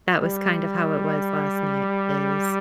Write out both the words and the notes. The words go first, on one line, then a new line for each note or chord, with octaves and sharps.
That was kind of how it was last night is
G3